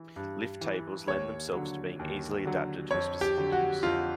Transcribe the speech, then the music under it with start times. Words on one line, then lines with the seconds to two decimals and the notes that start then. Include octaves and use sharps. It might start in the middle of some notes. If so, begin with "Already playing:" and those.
Lift tables lend themselves to being easily adapted to a specific use.
Already playing: E3
0.16 G2
0.61 E3
1.07 D#2 C#5
1.53 D3 F#3
1.99 D#2
2.45 D3 F#3
2.91 F2 C#5
3.21 G4
3.38 D3 F#3
3.52 F#4
3.83 F2 F4